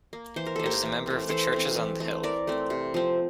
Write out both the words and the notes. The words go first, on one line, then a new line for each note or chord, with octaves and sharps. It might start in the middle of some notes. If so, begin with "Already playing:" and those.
It is a member of the Churches on the Hill.
A#3
E3 C5
A#4
A#3 A4
G4 A#4
E3
A3 C4
E3 A4 C5
A3 C4
E3
A3 C4
E3 A#4 D5
A3 C4
C3
F3 C4